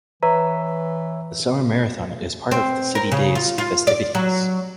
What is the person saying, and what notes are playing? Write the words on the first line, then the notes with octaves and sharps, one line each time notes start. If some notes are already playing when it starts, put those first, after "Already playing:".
The summer marathon is part of the City Days festivities.
E3 B4 C#5 E5 A#5
C4
A#4
C#3
F4
F4
D5
F#3